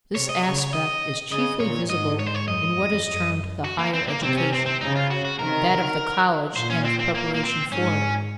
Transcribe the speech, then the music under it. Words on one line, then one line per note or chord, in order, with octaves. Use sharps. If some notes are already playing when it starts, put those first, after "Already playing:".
This aspect is chiefly visible in what is termed the higher education--that of the college and of preparation for it.
C3 C#5
D#5
C#3 C#5
C#5
D#5
C#3 D#5
A#2 C#5
G#2 D#5
C#5
C5
C#5
F#2 D#5
F2
F#2
F#4
A#3
C4
A#3
C3 C4
C#4
C4
C4
C#3 D#4
F4
F#4
F#4
C3 D#3 A#4
A#2 C5
C#4
C4
C4
A#3
A#3
C4
G#2 C#4